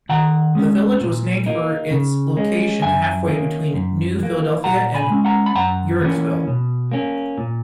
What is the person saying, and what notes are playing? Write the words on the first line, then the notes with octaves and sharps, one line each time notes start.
The village was named for its location halfway between New Philadelphia and Uhrichsville.
D#3 F#5 A#5
G#3 C#4
A#2
A#3 D#4
C#3
G#3 C#4
F#2 E5 G#5
D#3 A#3 C#4
F#2
E3 A#3
A#2 F#5 A#5
G#5 B5
G#3 C#4
F#5 A#5
B5
F#2 F#5 A#5
E3 A#3 C#4
B2
A#3 C#4
A#2